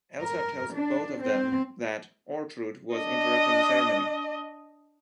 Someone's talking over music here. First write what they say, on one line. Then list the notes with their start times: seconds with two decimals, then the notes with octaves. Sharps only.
Elsa tells both of them that Ortrud was interrupting the ceremony.
0.20 A#4
0.74 D4
1.22 C4
2.95 D4 D#5